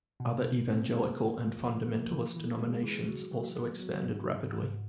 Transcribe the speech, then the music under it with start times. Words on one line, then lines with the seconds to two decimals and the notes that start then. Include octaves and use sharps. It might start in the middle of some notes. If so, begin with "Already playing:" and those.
Other evangelical and fundamentalist denominations also expanded rapidly.
0.20 B2
0.44 B2
0.68 C4
0.92 G#3
1.16 A#3
1.40 F3
1.64 F3
1.88 A#3
2.12 E3
2.36 E3
2.60 G#3
2.83 E3
3.08 F#3
3.32 F#3
3.55 B3
3.80 F#3
4.04 G#2
4.28 G#2
4.52 G#2